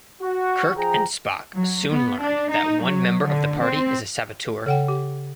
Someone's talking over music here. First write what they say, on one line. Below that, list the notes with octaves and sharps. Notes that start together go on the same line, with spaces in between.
Kirk and Spock soon learn that one member of the party is a saboteur.
F#4
F3 G#4 G5 A#5
F#3
B3
D4
D#4
F#3
D3
C4
C#3 A4 F#5 G5
G4